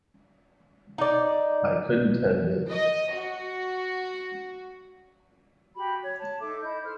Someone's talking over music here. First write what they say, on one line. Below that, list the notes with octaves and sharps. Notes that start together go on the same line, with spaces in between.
I couldn't have lived.
D#4 D5
D#5
F#4
F#4 G4 B5
C#5
A5
D#4 A4 E5 D6
E4 D#5 G6
A4 C5 F6